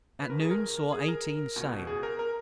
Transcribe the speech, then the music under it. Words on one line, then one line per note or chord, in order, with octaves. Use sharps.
At noon saw eighteen sail.
B4
D#2 D#3 A#4
G#4
A#4
G#4
A#4
C#2 B2
G#4
A#4
A#4